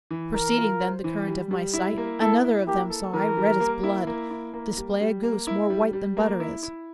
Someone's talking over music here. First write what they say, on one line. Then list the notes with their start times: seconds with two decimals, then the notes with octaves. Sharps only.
Proceeding then the current of my sight, Another of them saw I, red as blood, Display a goose more white than butter is.
0.10 E3
0.34 E3 A#4
0.58 F4
0.80 C5
1.04 E3
1.27 G3
1.51 G3
1.73 E4
1.98 A#3
2.21 E4 A4
2.44 E4
2.67 A#3 G4
2.90 A4
3.13 E3 A#4
3.37 G3
3.60 A#3
3.83 E4
4.07 A#3
4.31 E4
4.53 A#3
4.77 G3
5.01 G3
5.23 A#3
5.47 E4
5.70 G3
5.93 G3
6.17 A#3
6.40 E4
6.63 E4